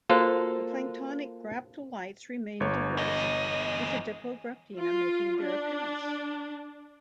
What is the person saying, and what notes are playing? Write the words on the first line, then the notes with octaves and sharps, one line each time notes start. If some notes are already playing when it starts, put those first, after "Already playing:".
The planktonic graptolites remained diverse, with the Diplograptina making their appearance.
A#3 F4 F#4 A4 C5
G1 C#5
E2 D#5
F4
D4